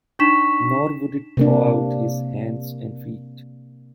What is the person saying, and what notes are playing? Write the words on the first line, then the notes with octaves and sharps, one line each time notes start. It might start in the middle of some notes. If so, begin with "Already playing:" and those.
Nor would it thaw out his hands and feet.
D4 D#4 C#6 B6 E7
C3 A#3 D4